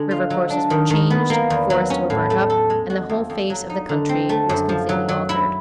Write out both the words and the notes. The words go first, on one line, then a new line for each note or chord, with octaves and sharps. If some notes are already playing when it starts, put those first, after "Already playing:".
River-courses were changed, forests were burnt up, and the whole face of the country was completely altered.
Already playing: D3 G#3
F4
F#3
D4
D#3
D#3
B3
A#3
E2
F#3
C#4
A2
A3
A4
G#3
F#4
F2
F2
F#3
D#4
D3
C4
A3
F#2
F3
F#3
F#3
E4